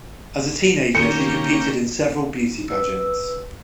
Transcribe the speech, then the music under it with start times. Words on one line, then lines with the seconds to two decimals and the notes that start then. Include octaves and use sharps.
As a teenager she competed in several beauty pageants.
0.95 D#2 A#3 C#4 G4 C#7
2.68 B4 E6